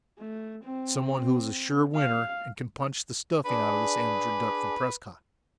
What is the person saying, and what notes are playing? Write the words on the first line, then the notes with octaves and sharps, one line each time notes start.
Some one who is a sure winner, and can punch the stuffing out of this amateur duck from Prescott.
A3
C4
F5
D4 G#4 B4